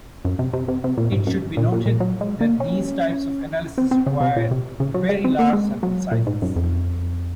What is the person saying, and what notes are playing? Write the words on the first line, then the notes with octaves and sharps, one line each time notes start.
It should be noted that these types of analysis require very large sample sizes.
F#2
C3
C3
C3
C3
A#2
G#2
F#2
A#2
A#2
A#2
F#3
G#3
A#3
C#4
C4
C4
C#3
C3
A#2
C3
C#3
F#3
G#3
C4
A#3
G#3
F#3
A#2
G#2
F#2
F2